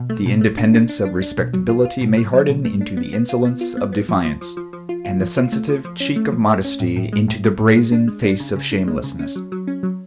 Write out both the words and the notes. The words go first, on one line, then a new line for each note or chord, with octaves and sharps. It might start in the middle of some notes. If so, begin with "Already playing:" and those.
The independence of respectability may harden into the insolence of defiance, and the sensitive cheek of modesty into the brazen face of shamelessness.
Already playing: B2
A3
B2
A3
D4
D4
D4
D4
D4
B2
F#3
F4
F4
B2
F#3
F#3
B2
A3
D4
B3
B3
F4
B3
F4
B3
B3
F3
F3
F3
F3
F3
F4
F4
F3
F4
A3
F3
F3
C#4
A3
F3
A3
C#4
A2
A2
G#3
A2
G#3
A2
G#3
D4
G#3
D4
C#3
C#3
D4
G#3
C#3
C#4
F#3
F#3
C#4
F#3